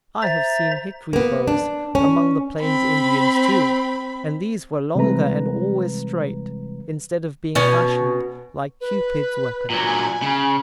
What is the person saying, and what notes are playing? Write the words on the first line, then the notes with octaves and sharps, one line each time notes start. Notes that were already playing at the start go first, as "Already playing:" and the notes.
I have seen hickory bows among the plains Indians, too, and these were longer and always straight, instead of being fashioned like Cupid's weapon.
C5 E5 A#5 A6
A#3 B3
D4
C#4
C4 B5
C3 E3 G3 G#3 B4 A#5
B2 B3 C#4
B4
A#2 F#3
G#5
C#3